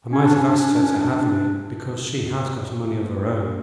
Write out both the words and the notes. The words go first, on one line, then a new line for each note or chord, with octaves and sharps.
I might have asked her to have me, because she has got money of her own.
C#4
D4
C#4
D4
C#4
D4
C#4
D4